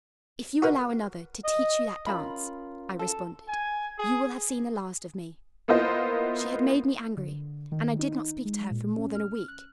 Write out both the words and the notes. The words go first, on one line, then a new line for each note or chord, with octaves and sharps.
"If you allow another to teach you that dance," I responded, "you will have seen the last of me." She had made me angry, and I did not speak to her for more than a week.
F#4 A#4 B4
D#5
C#4 F4 A#4 B5
A4
G#5
G#4
A#3 B3 E4 F4 C5 D#5
D3
D#3
D#4
G#3
A#2
C#4
F6
F#6